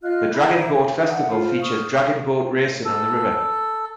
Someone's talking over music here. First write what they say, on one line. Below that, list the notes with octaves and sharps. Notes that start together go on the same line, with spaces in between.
The Dragon Boat Festival features dragon boat racing on the river.
F4 D#5 F6 F#6
E4 A#5 D6
G4 G5
D4 D#4 E5 F#5
E4 F4 C5 F5
C#6 D#6 F6
A4